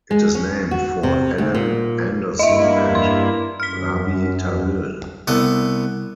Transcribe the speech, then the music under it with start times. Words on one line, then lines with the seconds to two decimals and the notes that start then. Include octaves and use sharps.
It is named for Ellen Andersen and Rabi Tawil.
0.11 G#3
0.35 C#4
0.71 F#4
1.03 C3
1.38 D2
1.55 A#2
2.39 G2 A#3 E4 D#5 E5
2.95 C6
3.60 F#2 F6 B6
5.28 C2 B3 A4